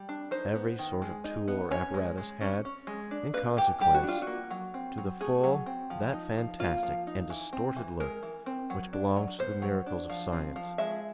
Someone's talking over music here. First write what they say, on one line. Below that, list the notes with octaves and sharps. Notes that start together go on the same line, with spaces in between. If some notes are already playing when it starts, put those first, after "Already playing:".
Every sort of tool or apparatus had, in consequence, to the full, that fantastic and distorted look which belongs to the miracles of science.
Already playing: G3
D4
D#4 C5
B3
D#3
G#3
D#4
B3
C#4 C#5
G#3
G#3
C#4
C#4
G#3
D4
A#3 B4
E3 G4
G3 G4
F#4
D4 F4
F#4
A#3
F#3
C4
F#3
A3 G#4
F#3
C4
F3
D#4
F3
A#3 F4
F3
D#4
E3
C4
E3
G#3 A#4
E3
C4
F#3
D4
F#3
B3 C5
F#3
D4
F3
C4
F3
G#3 E5